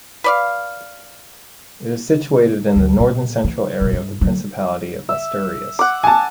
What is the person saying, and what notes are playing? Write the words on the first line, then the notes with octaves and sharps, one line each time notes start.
It is situated in the northern-central area of the Principality of Asturias.
B4 D5 F5
D2 F3
A#2
E3
B2 E3
G2
D3 F#3
E5
F#5 D6
G#5 A5